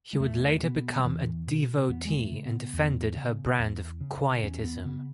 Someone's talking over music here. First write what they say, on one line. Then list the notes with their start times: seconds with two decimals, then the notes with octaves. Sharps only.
He would later become a devotee and defended her brand of Quietism.
0.13 G#3
0.20 E2 A3
0.63 B2 B3
0.98 F#3
1.04 E2 E3
1.47 B2
1.89 E2 B3
2.05 G#3
2.18 A3
2.31 C#3
2.45 B3
2.73 E2
3.16 C#3
3.59 E2
4.01 C#3
4.43 E2 C#4
4.64 B3
4.85 C#3 B3